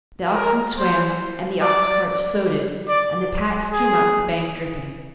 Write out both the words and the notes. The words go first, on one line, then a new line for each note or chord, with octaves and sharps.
The oxen swam and the ox-carts floated and the packs came up the bank dripping.
A#4
C5
D5
D5
G#4